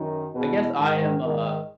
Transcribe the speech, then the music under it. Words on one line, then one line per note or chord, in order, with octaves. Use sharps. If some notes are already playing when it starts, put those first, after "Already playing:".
I guess I am a
Already playing: F#2 D#3
E2 B2 G#4 B4
G#2 D#3
G#2 D#3